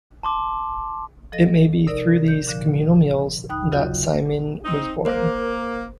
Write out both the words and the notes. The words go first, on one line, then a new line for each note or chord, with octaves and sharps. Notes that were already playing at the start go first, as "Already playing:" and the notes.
It may be through these communal meals that saimin was born.
A5 C6 D6
F3 A4 D#5 A#6
C3 D#4 A#4 D5
G6
A#2 D3 F3
D#2 D#4 G5 B5 D#6 F#6
C#3 F#3 F4 F#4 D#5 G6
C4 D#4
A#3 A#4 C5